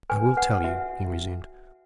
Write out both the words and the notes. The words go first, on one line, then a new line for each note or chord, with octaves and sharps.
"I will tell you," he resumed.
B4 G#5
B4 F#5
F#4 E5